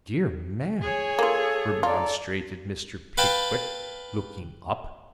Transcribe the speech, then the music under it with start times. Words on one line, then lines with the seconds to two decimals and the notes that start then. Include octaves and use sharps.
'My dear ma'am,' remonstrated Mr. Pickwick, looking up.
0.82 G#4 C#5 G#5
1.19 A#3 F4 A4
1.83 F4 A4 D5 A#5
3.18 B4 F5 G5 A5 B5